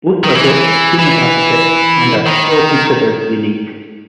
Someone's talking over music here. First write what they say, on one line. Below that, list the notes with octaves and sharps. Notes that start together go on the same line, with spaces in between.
Both were built by famous architects and are still considered unique.
D#3
E3
E3
D#3